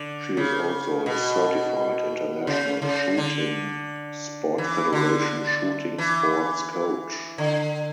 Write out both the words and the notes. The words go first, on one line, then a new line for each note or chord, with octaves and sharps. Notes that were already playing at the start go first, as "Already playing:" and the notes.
She is also a certified International Shooting Sport Federation shooting sports coach.
Already playing: D3
C#3
B2
C#3
C#3
D3
E3
D3
E3
D3